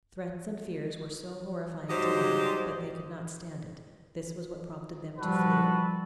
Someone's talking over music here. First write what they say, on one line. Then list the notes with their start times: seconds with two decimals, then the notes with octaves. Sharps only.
Threats and fears were so horrifying to them, that they could not stand it; this was what prompted them to flee.
1.90 G#2 F#3 G3 G4 C5 D#5
5.19 F3 G3 F#4 A4 B4